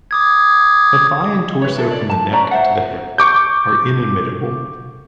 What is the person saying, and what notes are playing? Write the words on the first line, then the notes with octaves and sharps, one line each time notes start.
The thigh and torso from the neck to the hip are inimitable.
D6 D#6 G#6
B4 C#5
E4 A4
D5
A5
C#4 B4 D5 A#5
C5 E5 F#5
C#6 D6 G6